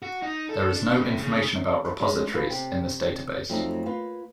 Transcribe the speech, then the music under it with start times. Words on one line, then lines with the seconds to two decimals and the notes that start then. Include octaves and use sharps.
There is no information about repositories in this database.
0.02 F#4
0.22 D#4
0.49 A4
0.76 D4
0.99 A2
1.18 C#3
2.00 G#3 C#4 D4
2.34 F4 A4 B4
2.50 C3 G4
3.50 F2 F#3 A3 C4 D#4
3.86 A#3 F4 B4